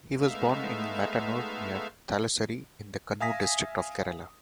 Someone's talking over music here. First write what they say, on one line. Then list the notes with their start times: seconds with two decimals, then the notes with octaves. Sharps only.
He was born in Mattanur, near Thalassery, in the Kannur district of Kerala.
0.18 G#3 A3 B3 D#4 E5 F5
3.20 E5 F5 G#5 D#6 A#6 B6